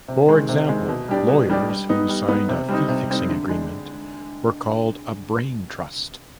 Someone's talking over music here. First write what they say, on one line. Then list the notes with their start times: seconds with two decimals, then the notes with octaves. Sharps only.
For example, lawyers who signed a fee-fixing agreement were called a brain trust.
0.08 C3
0.29 D#3 G#3
0.49 C3
0.69 D#3 G#3
0.89 B2
1.08 G3 D4 G4 D5
1.28 B2
1.50 G3 D4 G4 D5
1.69 G3
1.89 B3 D#4
2.09 G3
2.28 B3 D#4
2.49 C3
2.69 G3 C4 D#4
2.88 C3
3.09 G3 C4 D#4
3.30 D3
3.49 G#3 D4